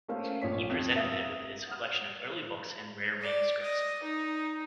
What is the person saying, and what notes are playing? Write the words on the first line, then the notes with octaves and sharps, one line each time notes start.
He presented it with his collection of early books and rare manuscripts.
A3 A#3 C#4 C5 F5
A#1 A#2 C#5 B6
F2
A#4 E5 F5 D#6
F#5 D#6 F6
D5
D#5
D#4